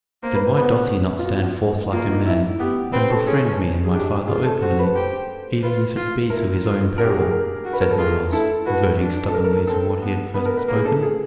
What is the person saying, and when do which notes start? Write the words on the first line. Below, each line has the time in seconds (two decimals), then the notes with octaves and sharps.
"Then why doth he not stand forth like a man and befriend me and my father openly, even if it be to his own peril?" said Myles, reverting stubbornly to what he had first spoken.
0.23 A#3 C5
0.35 B4
0.46 C5
0.57 B3 B4
1.19 F4
1.24 B3 F#4
1.92 A#3 F4
2.09 D#4
2.26 E4
2.59 B3 G4
2.92 C4 B4
3.10 A4
3.27 C#4 G#4
3.84 G#4
3.94 D4 G4
4.27 F4 G#4
4.44 A4
4.62 F#4 C5
4.79 B4
4.95 G4 C5
5.63 F4 B4
5.96 F4
6.30 E4 A#4
6.64 F4
6.98 F#4 A#4
7.03 G4
7.09 G#4
7.20 G#4
7.31 A#4
7.65 F#4
7.73 B4
7.81 A#4
7.90 A4
7.98 F4 G#4
8.32 E4 A4
8.66 F#4 B4
9.00 D4
9.28 A4
9.34 A#4
9.44 A#4
9.56 A#4
9.67 C4 A4
10.01 B3
10.34 B3 B4
10.45 A#4
10.57 B4
10.68 A#3
10.74 G#4
10.85 A4
11.03 G#4